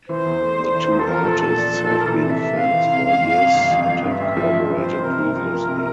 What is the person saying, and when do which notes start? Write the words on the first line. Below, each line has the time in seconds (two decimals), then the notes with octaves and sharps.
The two artists have been friends for years and have collaborated previously.
0.09 E3 C5
0.26 E2
0.41 A3
0.58 D4
0.74 E3
0.91 E2
0.99 A4
1.07 F3 A#4
1.24 A#2 A4
1.40 A3 A4
1.57 D4
1.74 F3
1.90 A#2
1.99 A#4
2.06 E3 A4
2.23 C3
2.30 E5
2.39 A3
2.56 C4 F5
2.72 E3
2.88 C3
3.05 F2
3.21 G1
3.38 C3
3.55 G1
3.71 F2
3.88 G1
4.04 G2 E5
4.21 A1
4.29 E5
4.36 F3
4.53 A1
4.70 G2
4.77 C5
4.86 A1
5.02 C3 A#4
5.19 C2
5.35 F3
5.52 A#3
5.69 C3